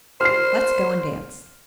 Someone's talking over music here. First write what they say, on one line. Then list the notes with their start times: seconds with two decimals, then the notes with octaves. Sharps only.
Let's go and dance.
0.21 C5 F6 C7